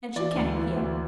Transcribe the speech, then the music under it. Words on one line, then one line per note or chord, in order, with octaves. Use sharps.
And she came here.
E3 D5
D2
E3
D2